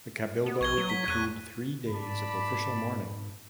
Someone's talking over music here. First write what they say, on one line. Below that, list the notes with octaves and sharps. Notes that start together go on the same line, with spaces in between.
The cabildo decreed three days of official mourning.
B3
A#1 C#6 G#6 G7
F#3
B6
E2 F#6 D#7
G#2 D5 A5 B5